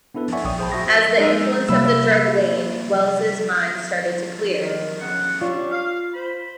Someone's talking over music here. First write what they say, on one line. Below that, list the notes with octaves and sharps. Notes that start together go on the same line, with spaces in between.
As the influence of the drug waned, Wells' mind started to clear.
B3 D4 E4 A4 B4
C#5 D5 E5 F#5 G#5 C#6
A#1 G5 C#6 D#6
G#4 C5 G5 A5 B5
F#4 C5 E5 C#6 D#6 A#6
G#3 D#4 E6
C3 F#3 G3 A#3 E5 B5 E6
D#3
C#3 F#5
G3 C#4 D4 F4
F5
C5 B5